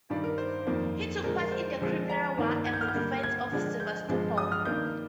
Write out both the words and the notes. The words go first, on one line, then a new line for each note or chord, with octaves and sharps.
He took part in the Crimean War and the defense of Sevastopol.
G2 D#3 G3 D4
A#4
C5
F2 D#3 A#3 D4
D3 F3 G#3 D4 A#4
A#4
C5
D3 F3 G#3 C4
A#5
G2 D#3 A#3 D4
G#6
G6
F6
G6
D3 G3 A#3
G#6
D3 F3 G#3 D4
G6
G2 D3 F3 G#3 C4
D#6
F6
G2 D#3 A#3 D4 G6